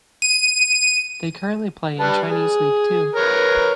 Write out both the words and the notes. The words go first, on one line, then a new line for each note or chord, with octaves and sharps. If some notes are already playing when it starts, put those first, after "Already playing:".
They currently play in Chinese League Two.
D#7
G3 B4 A5
G#4
A#4 B4 C#5